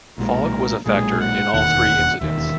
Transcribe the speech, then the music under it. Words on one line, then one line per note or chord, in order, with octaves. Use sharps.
Fog was a factor in all three incidents.
B1 A#2 G#3 A#4
B1 A#2 G#3 G#4
F#5
E1 D#2 D#3 F#5
E1 D#2 D#3 E5